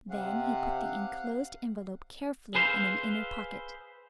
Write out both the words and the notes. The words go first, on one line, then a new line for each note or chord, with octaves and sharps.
Then he put the enclosed envelope carefully in an inner pocket.
C3 F5 F#5
G#4 B4 C5 D5 E5 F5